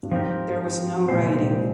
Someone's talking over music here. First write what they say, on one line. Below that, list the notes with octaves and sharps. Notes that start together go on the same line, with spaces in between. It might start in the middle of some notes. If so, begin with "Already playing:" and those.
There was no riding.
G2
G#2 F3 C4 G4 A#4
A#2 G#3 C4 G4 C5
C3
A#2